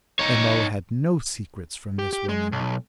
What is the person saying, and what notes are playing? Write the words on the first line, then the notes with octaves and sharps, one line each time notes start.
M.O. had no secrets from this woman.
D#4 C#5
G4
G4
G#3
B1